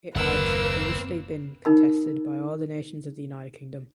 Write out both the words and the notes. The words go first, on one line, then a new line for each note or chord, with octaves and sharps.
It had previously been contested by all the nations of the United Kingdom.
F#1 D#2 A#3 C4 A#4 B4 F#5 E6
D#4 A#4 B5